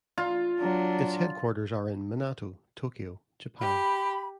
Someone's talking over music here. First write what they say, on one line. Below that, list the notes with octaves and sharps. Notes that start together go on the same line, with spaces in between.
Its headquarters are in Minato, Tokyo, Japan.
F4
F#3 D4
G4 B5